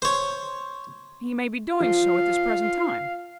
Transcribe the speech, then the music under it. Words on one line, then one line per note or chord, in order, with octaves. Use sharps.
'He may be doing so at this present time.'
C5 C#5
F3 F5